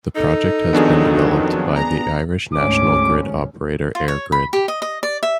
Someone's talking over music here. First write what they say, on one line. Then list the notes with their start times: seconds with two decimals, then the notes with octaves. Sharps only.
The project has been developed by the Irish national grid operator EirGrid.
0.16 D#4 A4
0.73 F2 D#3 F#3 B3 D4 G#4
1.75 A#5
2.53 D2 G#2 C#4 D6
3.95 F4
4.08 C#5
4.32 B5
4.53 G4
4.68 D#5
4.82 D#5
5.03 D5
5.23 E5